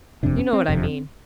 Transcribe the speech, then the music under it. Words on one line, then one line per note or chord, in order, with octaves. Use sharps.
"You know what I mean."
F#1 F2 C3 D4
C#4
C4
F#1 F2 C3 C4